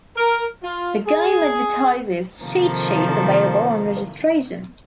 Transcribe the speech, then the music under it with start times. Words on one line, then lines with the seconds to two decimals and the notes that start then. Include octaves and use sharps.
The game advertises cheat sheets available on registration.
0.17 A#4
0.62 F4
1.06 G#4
2.43 C3 D#3 F3 A#3 A4